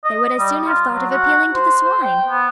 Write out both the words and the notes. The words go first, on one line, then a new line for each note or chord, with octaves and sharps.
They would as soon have thought of appealing to the swine.
D#5
D#5
G3
F4
F#3
F#4
C5
C5
G5
B3